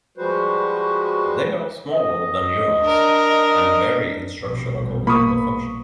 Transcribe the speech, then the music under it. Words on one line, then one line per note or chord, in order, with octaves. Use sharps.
They are smaller than neurons, and vary in structure according to their function.
F3 G3 G#3 F#4 B4 C5
D#5
D4 A#4
A#1 B2 G3
A#3 B5 C#6 D#6